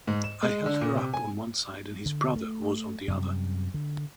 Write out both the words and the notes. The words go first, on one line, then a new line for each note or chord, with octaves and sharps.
I held her up on one side and his brother was on the other.
G#2
E7
G#3
D3
A#2
C3
G#5
D3
A3
F#2 C3 G3
D3